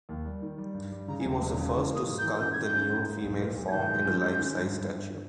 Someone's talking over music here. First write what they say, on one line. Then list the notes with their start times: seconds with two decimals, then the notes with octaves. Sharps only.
He was the first to sculpt the nude female form in a life-size statue.
0.09 D#2
0.26 G3
0.42 D#3
0.58 G3
0.74 G2
0.92 G3
1.08 C#3 A#5
1.20 G#5
1.25 E1 A#5
1.42 E1
1.52 A#5
1.57 C#3
1.74 E3 C#6
1.91 A#3 D#6
2.07 G#2
2.19 G6
2.23 E3
2.40 C#4 G6
2.53 G#2 G#6
2.64 G6
2.74 C#4
2.89 G#2
3.06 A#3
3.23 B1
3.40 A#3
3.56 B1
3.68 G#6
3.72 D#3 G6
3.89 G#3
4.06 C#4
4.23 G#3
4.39 D#3
4.56 G2
4.71 G2
4.88 G2